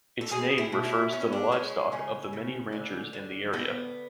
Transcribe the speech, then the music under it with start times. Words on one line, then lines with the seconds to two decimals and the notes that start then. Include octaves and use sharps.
Its name refers to the livestock of the many ranchers in the area.
0.21 A4
0.31 B2 G#4
0.58 E4
0.72 B2
0.85 E4
1.13 B3 C#4
1.32 D4
1.52 G#3 C#4
1.92 C#3 C#4
2.33 C#3
2.72 D3
3.13 D3
3.53 A2 B3